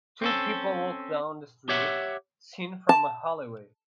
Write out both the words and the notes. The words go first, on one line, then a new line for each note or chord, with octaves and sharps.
Two people walk down the street, seen from a alleyway.
C4 C#4 A4
G4 C#5 E5 F#5
A5